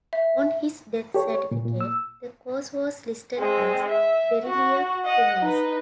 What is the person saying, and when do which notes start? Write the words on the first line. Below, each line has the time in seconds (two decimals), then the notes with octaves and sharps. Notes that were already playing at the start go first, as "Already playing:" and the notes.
On his death certificate, the cause was listed as delirium tremens.
0.13 E5
1.14 G4 A4 C#5
1.35 C#5
1.51 A#2
1.65 A#2
1.81 E6
3.38 G#3 C4
3.88 E5
4.45 F#4
5.05 D#5 F#5
5.40 D#4 B4